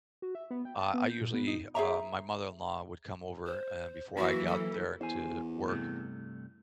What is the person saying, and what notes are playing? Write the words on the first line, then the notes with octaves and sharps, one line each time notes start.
uh, I usually uh, my mother-in-law would come over, eh before I got there to work
F#4
E5
B3
G5
A5
B3
G6
A#2
B3
D#4
G#4 C5 E5 A#5
C5
E3 F#3 A#3 F#4
A4
E2 C5 G#5
G2 C3 A3